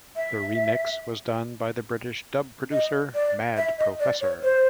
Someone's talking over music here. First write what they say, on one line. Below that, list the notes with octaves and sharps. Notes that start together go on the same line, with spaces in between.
The remix was done by the British dub producer Mad Professor.
E5
D#5
D5
E5
D#5
D5
C#5
C5